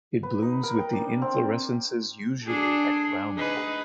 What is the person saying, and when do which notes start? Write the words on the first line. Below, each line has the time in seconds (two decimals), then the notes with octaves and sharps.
It blooms with the inflorescences usually at ground level.
0.23 B4
0.42 D#4
0.63 A#4
0.78 G5
0.93 D4
1.22 C4
2.45 D4 G#4 A4
3.37 D#4 G#4 B4